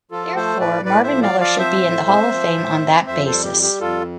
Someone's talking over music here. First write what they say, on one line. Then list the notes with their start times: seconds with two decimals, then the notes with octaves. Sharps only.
Therefore Marvin Miller should be in the Hall of Fame on that basis.
0.11 F3 F4 A4
0.36 A3 A4 C5
0.60 A2 B4 D5
0.85 A2 B4 D5
1.03 C5 E5
1.10 F3
1.22 D5 F5
1.34 F3
1.41 D5 F5
1.59 C4 C5 E5
1.84 A2
2.08 C4
2.33 F3
2.58 A2
2.82 C4
3.07 F2 C5 E5
3.25 A4 C5
3.32 G3
3.44 G4
3.57 G3
3.62 G4
3.80 F2 F4 A4